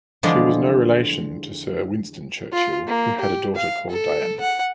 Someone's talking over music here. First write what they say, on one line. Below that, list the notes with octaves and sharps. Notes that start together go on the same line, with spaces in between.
She was no relation to Sir Winston Churchill, who had a daughter called Diana.
E2 D3 F3 G3 G#3 D5
F4
A#3
G4
F5
A4
F#5